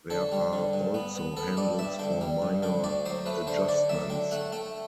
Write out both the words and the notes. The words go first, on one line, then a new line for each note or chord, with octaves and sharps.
There are also handles for minor adjustments.
D3 A4
G3
D3
G2
B3
B3
B3 A4
G2 D5
G2 E5
D3 G5
G3
G2
D3 G5
D2 D5
F#3 C5
A3 B4
D3 C5
D3 D5
F#3 E5
D3 G5
A3 F#5
A3 G5